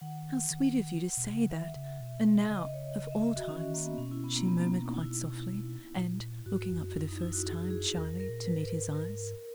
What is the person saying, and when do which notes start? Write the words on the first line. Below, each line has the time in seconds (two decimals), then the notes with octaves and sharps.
"How sweet of you to say that! and now, of all times," she murmured quite softly, and looking up for the first time, shyly, to meet his eyes.
0.01 D#3 F#5
0.51 D#3
1.17 B2
1.34 C#3
1.50 D#3 E5
1.76 C#3
2.01 B2
2.50 C#3 D#5
2.74 C#5
2.99 D#5
3.11 E5
3.24 E5
3.36 F#4
3.48 D#3 C#4
3.74 A#3
3.86 B3
3.98 B2 C#4
4.11 E4
4.24 B3
4.36 A#3
4.48 B3
4.61 A#3
4.72 B3
4.86 D#4
4.97 E4
5.97 A#2
6.46 G#2 F#4
6.71 F#2
6.96 F#2 E4
7.09 D#4
7.21 E4
7.33 F#4
7.46 G#4
7.70 G#4
7.95 E2 A#4
8.12 F#2
8.20 A#4
8.29 A#2
8.45 G#2 B4
8.69 A#4
8.95 A#4